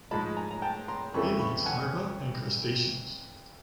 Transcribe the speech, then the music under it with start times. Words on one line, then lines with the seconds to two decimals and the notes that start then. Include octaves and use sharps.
It eats larvae and crustaceans.
0.11 G#2 F3 G#3 A5 B5
0.37 G#5 A#5
0.51 A#5
0.62 G5 A5
0.88 A#5 C6
1.14 F2 C#3 E3 A3 B5 C#6
1.40 B5 C#6
1.66 F#5 G#5